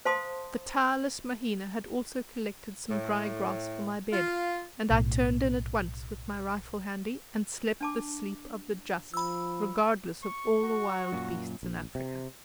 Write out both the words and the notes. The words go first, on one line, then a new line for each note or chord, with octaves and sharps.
The tireless Mahina had also collected some dry grass for my bed, and I turned in at once, with my rifle handy, and slept the sleep of the just, regardless of all the wild beasts in Africa.
C5 F5 A5 C6 D#6
A2
F4
B1 A2
D4 A5 D6
F3 B5 E6
C#6
F#4
F#2 A#2
A#1
C3